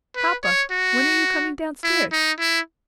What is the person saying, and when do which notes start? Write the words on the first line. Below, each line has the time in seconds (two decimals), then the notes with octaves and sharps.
Papa, when are you coming down stairs?
0.16 B4
0.43 C#5
0.71 F#4
1.83 E4
2.12 D#4
2.40 E4